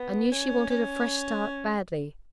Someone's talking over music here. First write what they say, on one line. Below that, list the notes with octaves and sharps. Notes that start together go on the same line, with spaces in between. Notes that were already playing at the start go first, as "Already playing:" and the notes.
I knew she wanted a fresh start badly.'
Already playing: B3
C#4
C#4